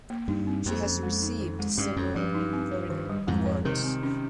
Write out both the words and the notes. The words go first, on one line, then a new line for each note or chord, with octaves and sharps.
She has received several important awards.
A#3
G2 D#4
C4
F2 A#3
C#4
G#3
D#4
D#3
G#3
G2 C#4
F2 C#4
G2 F3
D#4
C4
C#5
D#3
G3
F2 G#2 G#3
C#5
C3 D#3 A#4
C4
C#4